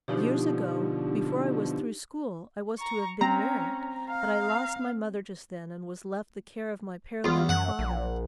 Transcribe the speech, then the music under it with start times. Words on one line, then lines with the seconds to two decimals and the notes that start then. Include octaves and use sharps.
Years ago, before I was through school, I was to have been married; but I lost my mother just then and was left the care of my paralytic father.
0.08 B2 D3 F3 D4 D#4 G4
2.79 A#5 C#6
3.21 C4 C#4 A#5
4.10 F5
7.24 E2 F4
7.49 F#2 F#5
7.79 A#1